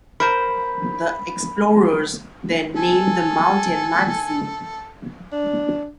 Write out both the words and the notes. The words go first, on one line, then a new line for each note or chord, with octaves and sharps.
The explorers then named the mountain "Magazine".
A#4 C5 A#5 B5
A4 G#5
D4